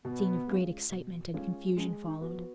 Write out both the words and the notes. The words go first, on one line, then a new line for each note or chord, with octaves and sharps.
A scene of great excitement and confusion followed.
B2 B3
G#3 C#4 F4
B2
G#3 C#4 F4
G#3 C#4
D#4
B3 F#4
F3